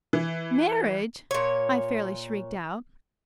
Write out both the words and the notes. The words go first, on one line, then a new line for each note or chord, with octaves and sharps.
"Marriage!" I fairly shrieked out.
E3
A#2 C#5